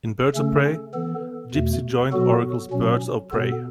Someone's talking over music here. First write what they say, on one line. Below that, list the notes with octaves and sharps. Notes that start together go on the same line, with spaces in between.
In "Birds of Prey", Gypsy joined Oracle's Birds of Prey.
C#3 A3 C#4 A4
E3 B3 A4
E2 B2 A3
B2 F#3 B3 F#4 A4
B2 F#3 C#4
B2 B3 A4